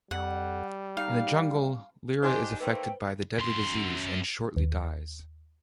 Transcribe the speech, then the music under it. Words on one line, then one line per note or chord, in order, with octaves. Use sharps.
In the jungle, Lyra is affected by the deadly disease and shortly dies.
F2 G3 F#5
D#4 F5
D4 D#4 G4 C5 G#5 C6
A3 A#3 B4 C5 G5
F#2 C6
D#2